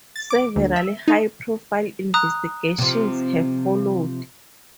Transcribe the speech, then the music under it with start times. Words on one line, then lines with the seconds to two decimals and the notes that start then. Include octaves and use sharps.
Several high profile investigations have followed.
0.16 A6
0.30 D6
0.56 D2
0.76 E5
1.08 D#4
2.14 A#5 D#6 F#6
2.78 C3 F3